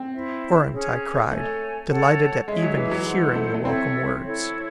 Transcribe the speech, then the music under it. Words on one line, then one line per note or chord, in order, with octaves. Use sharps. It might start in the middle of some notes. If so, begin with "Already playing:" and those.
"A torrent," I cried, delighted at even hearing the welcome words.
Already playing: C4
E4 C5 E5
C#4 G#4 C#5
A3 A4 C#5 G#5
A4 C#5 F#5 A5
G#3 G#4 C#5 E5
F#3
E3
F#3
G#3 E4 C5 F#5
A3
A3
C4 E4 A4 C#5 E5
E4 A4 C#5